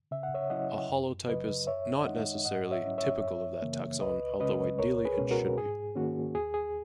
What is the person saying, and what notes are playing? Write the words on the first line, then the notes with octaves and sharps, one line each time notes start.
A holotype is not necessarily "typical" of that taxon, although ideally it should be.
C#3 E5
F#5
C#5 E5
F#3 C#4 E4 D#5 F#5
F#2
C#3 F#3 B4 D#5
F#2 C#5 E5
D#3 G#3 D#4 D#5 F#5
G#2 D#5 F#5
C#5 E5
F#3 C#4 E4
C#5 E5
F#2
C#3 E3 A#3
C#2 B4 D#5
C#3 G#3 C#4 B4 D#5
C#2 A#4 C#5
G#4 B4
B2 G#3 C#4
F#4 A#4
G#2 G#4
D#3 A#3 C#4 F#4
D#2 G#4
G#4